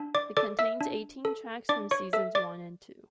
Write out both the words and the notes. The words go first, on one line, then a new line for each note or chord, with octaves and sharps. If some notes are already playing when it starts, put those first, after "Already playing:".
It contains eighteen tracks from seasons one and two.
Already playing: D4
D5 D6
A4 D5 D6
E5 E6
D4
A4
D4 D5 D6
C#5 C#6
A4 E5 E6
D5 D6